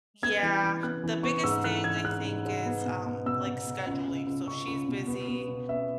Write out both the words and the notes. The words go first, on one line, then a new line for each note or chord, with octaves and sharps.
Yeah, the biggest thing, I think, is, um, like, scheduling, so, she's busy,
B3 G#6
E3
E3
B3 F#6
E3
B3 C#6
G#2 E6
E3 F#6
E3 G#6
G#2 F#6
G#2
G#2
B3
B2
B3
B2 E6
B2
B2
C#2
C#2
C#2
C#2 C#6
C#2
B2
B3
B3
B2
B3 E5